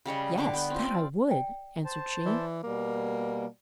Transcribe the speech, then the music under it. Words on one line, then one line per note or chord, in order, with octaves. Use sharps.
'Yes, that I would!' answered she.
C#3 G3 C#5 D#5
D3 G4 C#6 D6
B3 G5
C4 F4
D5
D5 G5
C5 A5
E3 D5
B2 G3 A#3